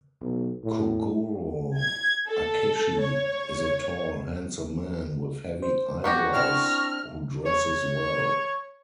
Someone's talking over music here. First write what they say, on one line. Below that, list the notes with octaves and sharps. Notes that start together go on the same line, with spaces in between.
Kogoro Akechi is a tall, handsome man with heavy eyebrows who dresses well.
B1
A2
G#6
A4
C#5
C5
B3 F#4 G4 C#6 A#6
C4 D4 E4 F6
C#5